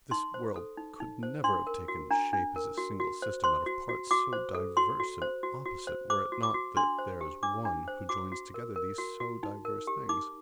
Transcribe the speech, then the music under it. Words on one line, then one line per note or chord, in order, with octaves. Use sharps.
This world could never have taken shape as a single system out of parts so diverse and opposite were it not that there is One who joins together these so diverse things.
D#4 C6
C5
A4
D#4
D#4
C5
D4 C6
A#4
F#4
D4 A#5
D4
A#4
F#4
F#4
C5
C5 C6
F#4
F#4
F#4 D6
C5
A4
F#4 C6
F#4
C5
F#4
F#4
C5
C5 D6
F#4
D6
F#4
D4 C6
C5
G4
D4 D6
D4
C5
F#4 D6
F#4
A#4
A#4
F#4
F#4
D#4
A#4
G4
D#4 D6